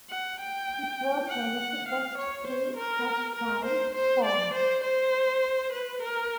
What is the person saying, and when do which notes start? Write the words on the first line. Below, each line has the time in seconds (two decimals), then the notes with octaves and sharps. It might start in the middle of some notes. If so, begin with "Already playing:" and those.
It was one of the first three such towns formed.
0.10 F#5
0.40 G5
1.28 F#5
1.88 F5
2.18 C#5
2.47 C5
2.77 A#4
3.35 A#4
3.65 C5
3.95 C5
4.25 D5
4.54 C5
4.84 C5
5.73 B4
6.02 A#4